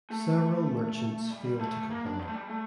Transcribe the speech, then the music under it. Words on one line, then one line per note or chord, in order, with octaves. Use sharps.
Several merchants failed to comply.
A3
G3
G3
A3
A#3
D4
G3
A3
G3
A3